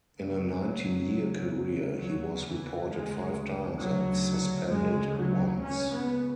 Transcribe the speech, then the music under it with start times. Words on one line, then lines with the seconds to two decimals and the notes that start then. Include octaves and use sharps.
In a nineteen-year career, he was reported five times and suspended once.
0.18 D2 C#3 F#3
1.09 C#2 C#3
1.99 D2 C#3 F#3
2.44 E3
2.89 D2 C#3 G#3
3.80 D2 C#3 F#3
4.70 D2 C#3 G#3
5.16 F#3
5.61 C#2 C#3 C#4
5.91 B3